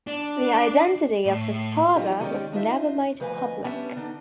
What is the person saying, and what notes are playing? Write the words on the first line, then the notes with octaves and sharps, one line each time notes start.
The identity of his father was never made public.
D4
A2
F3 F#3 C4 D#4 F4 G4
D#3 G#3 C#4 G4 D5
D4 D#4 F4 C5 E5
D2 F3 B4 D#5 F5 G#5
G3 B3 C#4 D4 E5
D3 D4 D#4